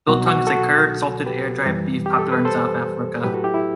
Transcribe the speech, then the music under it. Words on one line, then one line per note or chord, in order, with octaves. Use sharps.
Biltong is a cured, salted, air dried beef popular in South Africa.
C2 B2 F#3 F#4
F#4
F#4 A4
G4 B4
F#2 E3 G3
G4
A4
B4
A4 C5
A2 F#3 G4 B4
F#4 A4
E4 G4
E4